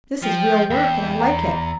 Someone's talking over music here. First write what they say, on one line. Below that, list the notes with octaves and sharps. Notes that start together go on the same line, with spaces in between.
This is real work, and I like it.
F3 G5
E2
A#5